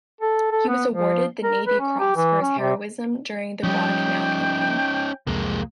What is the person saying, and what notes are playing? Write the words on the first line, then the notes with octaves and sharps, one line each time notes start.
He was awarded the Navy Cross for his heroism during the Guadalcanal campaign.
A4
A4
B3
F3
A#4
B4
C#4
G4
E3
C#4
C3
F3 G3 C#4 D#4 G5
C2 F2 G#3 A#3